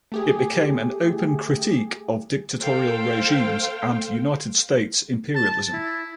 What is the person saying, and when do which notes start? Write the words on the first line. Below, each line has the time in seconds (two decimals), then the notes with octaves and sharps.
It became an open critique of dictatorial regimes and United States' imperialism.
0.12 A3 G4 G#4
2.60 A4 C5 F5 G5
5.35 A5
5.73 E4